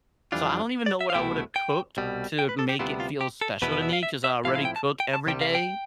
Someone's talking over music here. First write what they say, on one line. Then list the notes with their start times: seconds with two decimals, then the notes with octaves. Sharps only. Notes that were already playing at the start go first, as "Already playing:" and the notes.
so, I don't even know what I would've cooked to make it feel special to me 'cause I already cook every day.
0.32 F2 E3 G3 D4 F4
0.86 D5
1.01 E5
1.10 F5
1.14 C2 B2 A3 E4 G5
1.56 G5
1.97 C2 B2 G3
2.39 G5
2.49 B4
2.59 A4
2.69 G4
2.79 D2 C3 G3 B3 E4 F4
3.00 F4
3.21 G4
3.41 A4
3.62 E2 B2 B3 E4 B4
3.72 B4
3.82 E5
3.93 F5
4.03 E5
4.24 E5
4.44 A2 F3 C4 E4 F5
4.55 F5
4.65 G5
4.76 A5
5.00 G5
5.13 A5
5.27 C2 C3 G3 G5
5.41 F5
5.55 G5